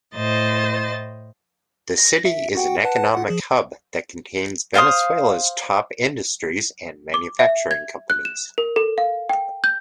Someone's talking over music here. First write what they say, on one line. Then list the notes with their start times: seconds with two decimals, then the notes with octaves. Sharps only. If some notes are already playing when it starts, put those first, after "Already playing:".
The city is an economic hub that contains Venezuela's top industries and manufacturing companies.
0.15 A2 C5 D#5 A6
1.98 A#6
2.25 E5
2.55 F#4 F#5 G5
2.84 B4 F#5 A5
3.14 F4 F#5
3.28 F3 G#4
4.74 C5 F5 C6 D#6
7.14 D6
7.39 E5
7.71 G#6
8.10 F#6
8.25 E7
8.58 A#4
8.76 A4
8.98 F5
9.29 G5
9.64 G6